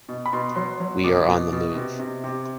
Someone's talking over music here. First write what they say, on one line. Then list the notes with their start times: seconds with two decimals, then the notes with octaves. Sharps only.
We are on the move.
0.09 B2
0.26 B5
0.33 B2 C6
0.56 F#3 C6
0.80 F#3
1.04 B2 D6
1.28 B2
1.52 B2
1.75 C3
1.99 C3
2.24 C3